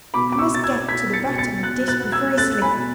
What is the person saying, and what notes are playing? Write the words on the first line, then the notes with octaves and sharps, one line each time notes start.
'I must get to the bottom of this before I sleep!
B2 B5 D6
D6
C#6 E6
B2 A6
E6 G#6
B2 G#6 B6
A6 C#7
B2
A6 C#7
B2 F#6 A6
F#6 A6
B3
E6 G#6
A3 F#6 A6
G#5 B5
B2